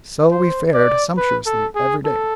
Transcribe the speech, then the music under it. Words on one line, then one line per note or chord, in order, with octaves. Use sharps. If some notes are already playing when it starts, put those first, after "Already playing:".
So we fared sumptuously every day.
C5
D5
B4
A4
G#4
A4